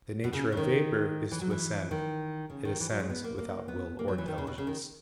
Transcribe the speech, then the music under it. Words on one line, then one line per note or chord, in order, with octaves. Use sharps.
The nature of vapor is to ascend; it ascends without will or intelligence.
B2
C#3
C#3
D#3
E3
F#3
E3
D#3
C#3
D#3
E3
F#3
G#3
B3
A#3
A#3
B3
A#3
F#3
E3
D#3
C#3
B2
C#3
D#3